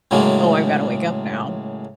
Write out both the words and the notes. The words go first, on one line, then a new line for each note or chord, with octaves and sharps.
Oh, I've gotta wake up now.
A2 C#3 F#3 G#3 A#3